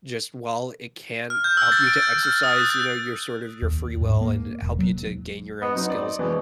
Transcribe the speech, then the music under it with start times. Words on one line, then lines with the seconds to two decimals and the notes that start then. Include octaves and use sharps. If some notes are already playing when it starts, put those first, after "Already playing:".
just while it can help you to exercise, you know, your sort of your free will and help you to gain your own skills,
1.30 F6
1.44 G6
1.57 E6
1.72 A6
1.87 D7
2.02 G6
2.23 F6
2.43 D#6
2.56 F#6
2.70 A6
3.62 D#2
4.01 G#2
4.21 A#3
4.62 E1
4.79 F#3
5.62 B3 D#5
5.75 F#3 C4 D#4
5.88 C4 D5
6.19 B2 E3 G#3